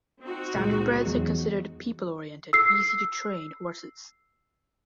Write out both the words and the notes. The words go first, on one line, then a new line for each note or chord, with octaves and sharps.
Standardbreds are considered people-oriented, easy-to-train horses.
C4 D#4 F#4
C#2 A#2 G#3
E2 F#3 G#3
E6 C7